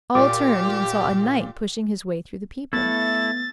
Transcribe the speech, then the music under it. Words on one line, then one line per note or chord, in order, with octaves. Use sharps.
All turned and saw a knight pushing his way through the people.
A#2 F4 G4 D5 D6
A3 B3 E4 A6